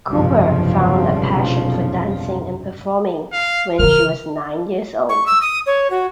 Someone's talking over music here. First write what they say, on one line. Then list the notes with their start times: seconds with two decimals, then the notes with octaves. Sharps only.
Cooper found a passion for dancing and performing when she was nine years old.
0.10 F1 B1 G2 C#3 F3
3.33 F5
3.79 C#3 E3 A#4 F6
5.09 C#6
5.26 E6
5.41 D#6
5.66 C#5
5.90 F#4